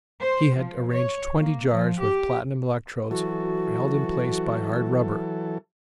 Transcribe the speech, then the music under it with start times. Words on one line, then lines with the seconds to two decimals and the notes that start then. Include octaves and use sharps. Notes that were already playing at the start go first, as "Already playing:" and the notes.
He had arranged twenty jars with platinum electrodes held in place by hard rubber.
0.21 C5
0.56 F3
0.94 C#5
1.40 A#3
1.71 F3
2.02 G4
3.11 E3 F#3 F#4 A4